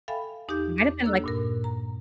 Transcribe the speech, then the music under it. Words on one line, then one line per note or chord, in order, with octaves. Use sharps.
It might've been, like
A4 E5 F5 G5 G#5 B5
E2 D#4 G4 D6 G6
D6
A#3 D4 A4 E6 F#6
G2 A#2 A#4
A#5